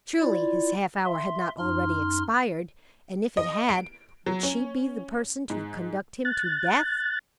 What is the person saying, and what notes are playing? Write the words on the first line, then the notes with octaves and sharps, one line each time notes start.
Surely, his half-hour had not already expired; and if it had, would she be the person to conduct him to death?
E4 F4 D5
E5 C6
F#2 D#4 C6 F6
D#5
D7
F#3
C#4
G#2
F#6 A6